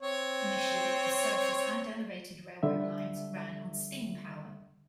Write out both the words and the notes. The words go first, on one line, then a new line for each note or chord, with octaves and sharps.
Initially the surface and elevated railroad lines ran on steam power.
C4 C#5
D3 G3 E5